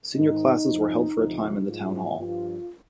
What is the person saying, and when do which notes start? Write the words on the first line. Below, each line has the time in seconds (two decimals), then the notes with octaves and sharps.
Senior classes were held for a time in the Town Hall.
0.15 G#2 D#3 D#4
0.66 F2 C3 F3
1.17 D2 C3 F3
1.66 G#2 F3 F4
2.17 G2 F3 F4